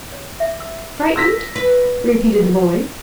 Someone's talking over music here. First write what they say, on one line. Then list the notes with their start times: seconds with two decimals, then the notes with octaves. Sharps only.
'Frightened?' repeated the boy.
0.12 C#5
0.40 E5
0.60 E6
1.16 E6 A#6 B6
1.56 B4